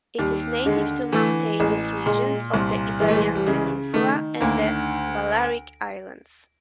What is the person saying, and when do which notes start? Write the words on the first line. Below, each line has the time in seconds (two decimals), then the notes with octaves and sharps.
It is native to mountainous regions of the Iberian Peninsula and the Balearic Islands.
0.19 D#2 G3
0.66 D3 G#3
1.12 E3 A3
1.59 A1 G#3
2.06 A#2 G#3
2.54 C2
3.00 E3 G#3
3.08 A3
3.16 G#3
3.35 G3
3.47 C#3 G#3
3.94 D#3 A3
4.41 D2 A#3